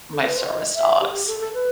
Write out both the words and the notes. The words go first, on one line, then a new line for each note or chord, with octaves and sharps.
my service dogs
A4
B4
C5
D#5
E5
G4
G4
A4
A4
B4